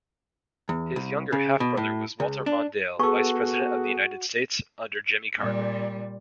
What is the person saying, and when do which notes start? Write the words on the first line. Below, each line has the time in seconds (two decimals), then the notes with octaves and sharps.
His younger half-brother was Walter Mondale, Vice-President of the United States under Jimmy Carter.
0.69 E2
0.96 C2
1.32 C#3
1.60 B2
1.77 A2
2.20 C#2
2.46 D4
2.99 B3 F#4 G#4 A4 C#6
5.39 A#2 G3